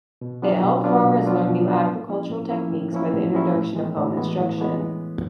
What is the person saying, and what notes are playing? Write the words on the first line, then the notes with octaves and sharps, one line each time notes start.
It helped farmers learn new agricultural techniques by the introduction of home instruction.
B2
F#3 B3 D4 F4
B2
F#3 B3 D4 F4
B2
F#3 B3 D4 F4
B2
F#3 B3 D4 F4
A2
F3 A#3 C#4 E4
A2
F3 A#3 C#4 E4
A2
F3 A#3 C#4 E4
A2
F3 A#3 C#4 E4
A2
E3 G#3 B3
A2
E3 G#3 B3
A2
E3 G#3 B3